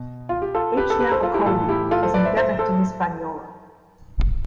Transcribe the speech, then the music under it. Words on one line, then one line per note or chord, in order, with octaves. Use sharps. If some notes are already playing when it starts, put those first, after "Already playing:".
"H. nabokovi" is endemic to Hispaniola.
Already playing: B2
F4
G4
F4 A4
G4 B4
A4
G4 B4
A4 C5
F4 A4
E4 G4
A2 E3 F4 A4
E4 G4
F4 A4
A4 C5
B4 D5
C5 E5
C5 E5
A4 C5